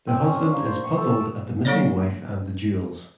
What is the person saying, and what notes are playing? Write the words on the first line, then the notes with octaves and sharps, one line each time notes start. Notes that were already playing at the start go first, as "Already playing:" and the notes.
The husband is puzzled at the missing wife and the jewels.
C4
C#4
D4
A#3
C5
C#6
A4
A5
F#3 A#3 D4 A4 C#5 D5